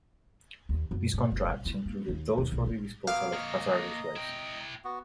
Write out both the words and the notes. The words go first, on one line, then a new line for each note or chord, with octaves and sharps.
These contracts included those for the disposal of hazardous waste.
D#2
F#2
G#2
F#1
A1
E4
A#3
D#2
D#2
B1
A1
F#3 B3 F5 D6
A#3 C#5 D#5 A#5
E4 G5
B3 F#4